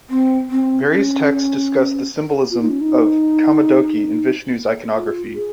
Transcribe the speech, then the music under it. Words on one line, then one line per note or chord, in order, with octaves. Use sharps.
Various texts discuss the symbolism of Kaumodaki in Vishnu's iconography.
C4
C4
C#4
F4
D#4
C#4
D#4
F4
G#4